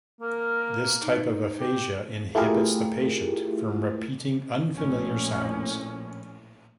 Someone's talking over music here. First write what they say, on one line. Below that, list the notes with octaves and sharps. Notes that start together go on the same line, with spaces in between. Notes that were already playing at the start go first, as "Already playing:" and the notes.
This type of aphasia inhibits the patient from repeating unfamiliar sounds.
A#3 A#4
D#4
G4
A3 E4 F4 G4 G#4 A#4
A#1 A2 C#4